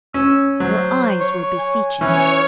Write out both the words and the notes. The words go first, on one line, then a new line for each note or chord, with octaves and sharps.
Her eyes were beseeching.
C#4 E6
F#3 C5
C#5
G#5
E3 C#4 C#5